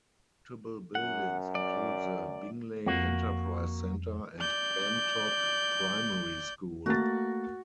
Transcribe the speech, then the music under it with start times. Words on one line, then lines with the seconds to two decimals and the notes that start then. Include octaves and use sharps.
Notable buildings include the Bingley Enterprise Centre and Bantock Primary School.
0.95 F#2 F#5
1.55 D5
2.87 F2 A#3 F#4
4.40 D5 G6
6.86 A3 A#3 F#4 A6